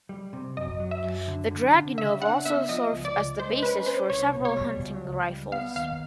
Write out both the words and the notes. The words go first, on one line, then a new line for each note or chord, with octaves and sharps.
The Dragunov also served as the basis for several hunting rifles.
G3
C3
F#2 D#5
F#3
E5
F#2
D3
D3
D3
C#3 E5
D4 F#5
B3 E5
F3 D#5
C#2
D5
C#2
G#3 C5
C#4 B4
C#4 C5
C2 C#5
B2
C#5
G3
C#2
C#2
G3
B3 F5
D#2 F5